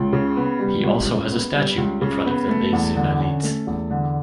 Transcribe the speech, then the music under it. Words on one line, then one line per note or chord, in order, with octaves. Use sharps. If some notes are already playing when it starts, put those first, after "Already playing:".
He also has a statue in front of the Les Invalides.
Already playing: C#2
C#3
B3
G3
C#2
C#3
B3
G3
C#2
C#3
B3
A3
E2
D3
C#4
A3
E2
D3